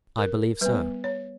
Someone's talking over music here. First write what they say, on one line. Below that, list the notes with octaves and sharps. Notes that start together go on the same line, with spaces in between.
"I believe so."
A#4
G3 B3 B4
C#5